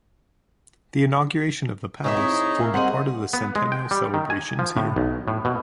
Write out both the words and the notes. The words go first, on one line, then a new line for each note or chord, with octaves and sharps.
The inauguration of the palace formed part of the Centennial celebrations here.
B2 D#4 G#4 C5 C#5 E5
C4 E4
A#4 E5 F5
G3 C4 G#4 C5 D#5 F#5
B3
G#3
G5
G3
D#3
G#5
F3
A2
B1
A2
B2